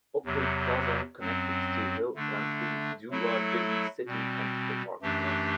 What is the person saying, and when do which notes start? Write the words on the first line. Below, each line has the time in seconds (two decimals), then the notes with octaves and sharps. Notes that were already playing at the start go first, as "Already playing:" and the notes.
Opry Plaza connected to Hill Country, Doo Wah Diddy City, and the parking lot.
0.25 E2 C3 F#3
1.20 F#2 F#3 C4
2.15 D3 A3 D4
3.11 F#3 A3 E4 A4
4.06 B2 G3 C4
5.02 F#2 E3 A3 D4 G4